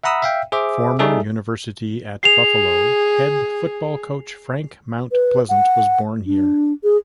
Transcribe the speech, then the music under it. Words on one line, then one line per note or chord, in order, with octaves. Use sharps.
Former University at Buffalo head football coach Frank Mount Pleasant was born here.
E5 F#5 A#5 B5 D#6 E6
E5 F5 G5
G#4 C5 E5 D6
G3 D#4 G#4 A4 E5
G#4 C7 F7
B4
F#5
D4
G#4